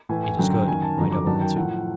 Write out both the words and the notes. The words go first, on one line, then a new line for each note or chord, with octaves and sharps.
"It is good," my double answered.
A2 E3 G#5
G#5
F#2 D3 F#3 G5
G5
F#2 D#3 F#3 G#5
A5
F2 D3 F#3 A#5
D6
F#2 D#3 F#3 A5
G5
A2 F3 F#5